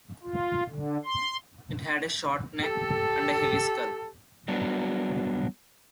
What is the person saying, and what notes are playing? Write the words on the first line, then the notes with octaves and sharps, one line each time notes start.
It had a short neck, and a heavy skull.
F4
D3
C6
G4 A4
F#3 G3 B3 D4 F#4